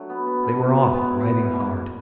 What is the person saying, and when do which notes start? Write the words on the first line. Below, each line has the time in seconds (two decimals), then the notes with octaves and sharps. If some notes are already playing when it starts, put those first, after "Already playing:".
They were off, riding hard.
Already playing: F#3 A3 D4
0.09 B3
0.26 B3
0.43 B2
0.59 B2
0.76 B2
0.93 B3
1.10 E4
1.26 B3
1.43 G#2
1.60 A#3